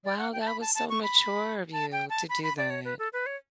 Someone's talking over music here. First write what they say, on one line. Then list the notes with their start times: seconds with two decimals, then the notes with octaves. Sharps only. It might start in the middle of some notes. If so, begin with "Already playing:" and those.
Wow, that was so mature of you to do that.
0.05 D5
0.18 F#5
0.33 G5
0.41 A5
0.47 B5
0.61 A5
0.75 A5
0.89 C#6
1.03 B5
1.73 A5
1.92 G5
2.10 A5
2.29 B5
2.43 B5
2.57 D5
2.70 C#5
2.85 B4
2.99 A4
3.13 B4
3.26 C#5